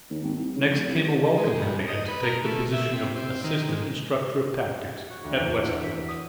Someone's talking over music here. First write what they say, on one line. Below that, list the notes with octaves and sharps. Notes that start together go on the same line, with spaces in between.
Next came a welcome command to take the position of Assistant Instructor of Tactics, at West Point.
D#2
G#1
C2
C#3
F1
C2
G#3
G2
D#5
B4
A#4
A3
E5
C3
C4
D#3
G#2
G#6
F#4
D2
E2
E5
B6
D#6